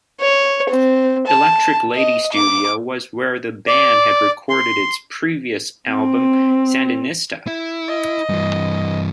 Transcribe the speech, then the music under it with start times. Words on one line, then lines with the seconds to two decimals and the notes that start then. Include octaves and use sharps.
Electric Lady Studio was where the band had recorded its previous album Sandinista!
0.20 C#5
0.69 C4
1.27 A5
1.95 D#5
2.32 D6
3.68 D5
4.50 C6
5.89 C4
7.47 E4
7.88 D#5
8.29 G2 E3